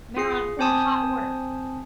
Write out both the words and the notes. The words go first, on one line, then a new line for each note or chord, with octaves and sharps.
Mare on form hot order.
F4 G#4 C7
C4 C5 G#5 A5 D#6